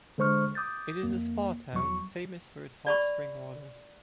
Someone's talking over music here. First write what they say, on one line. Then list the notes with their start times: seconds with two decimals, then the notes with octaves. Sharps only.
It is a spa town, famous for its hot spring waters.
0.18 D3 G#3 C5 C#6 F6
0.55 D6 D#6 G6 A6
1.03 F2 A#3
1.73 E2 F#3 C#6
2.86 D5 B5 C#6